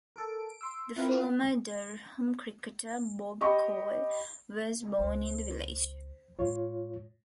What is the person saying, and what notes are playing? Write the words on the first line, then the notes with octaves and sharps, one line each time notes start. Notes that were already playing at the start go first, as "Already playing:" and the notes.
The former Durham cricketer Bob Cole was born in the village.
A4 A#4 D7
C6 E6
C4 E4 F4 A#4 B4
G4 D#5 B5 C#6
C#2 C5
A2 G#3 F4 C#5